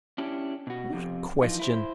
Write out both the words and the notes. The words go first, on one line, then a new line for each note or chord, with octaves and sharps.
"What a question!"
C#4 D4 E4 G4
B2 F#4
F2 C3
E3 F3 D#4 F4
E4 B4 C5